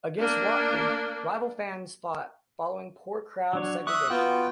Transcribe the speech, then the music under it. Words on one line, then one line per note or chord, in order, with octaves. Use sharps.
Against Watford, rival fans fought following poor crowd segregation.
A#3 D4
F#3 D4 C#5
E5 C#6 D#6 F#6
B3 F4 F#4 G5